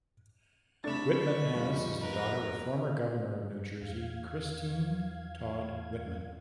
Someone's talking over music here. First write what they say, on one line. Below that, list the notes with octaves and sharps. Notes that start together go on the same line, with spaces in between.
Whitman Annis is the daughter of former Governor of New Jersey Christine Todd Whitman.
C2 A3 D4 B5 C#6 A6 E7
F1 G3 F4
A#4 B4
E2 F5 G#6